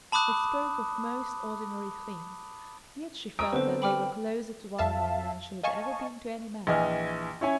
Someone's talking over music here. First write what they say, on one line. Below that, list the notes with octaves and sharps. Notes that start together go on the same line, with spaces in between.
They spoke of most ordinary things, yet she felt that they were closer to one another than she had ever been to any man.
A5 B5 D6 D#6 F#6
A#5 C#6 D#6 E6 D7
D3 B3 C4 B4 C5
G5 B5 D6 F6
F2 E5 F5 A5
D#5 F5 G#5 A5 C#6
A#1 E3 D#5 G#5 F6
C#4 E4 C#5 G#5